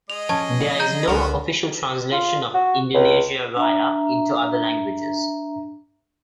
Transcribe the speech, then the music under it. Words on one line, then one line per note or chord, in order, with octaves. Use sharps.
There is no official translation of "Indonesia Raya" into other languages.
G#3 D#5 F7
F3 C#4 A5
A#5 G6
C#2 D3 B3 F#4 A#4
F4
F#4
C#2
D4 E5 A#5